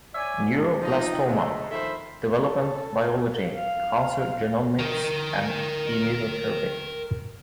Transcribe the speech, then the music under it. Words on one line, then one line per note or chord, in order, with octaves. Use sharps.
Neuroblastoma: developmental biology, cancer genomics and immunotherapy.
C#5 D5 E5 G#5
G#3 D4
F3 D#4
D3 G#3 A3
D#3 F3 A4 C5 E5 B5
A4
F5
A#4 G5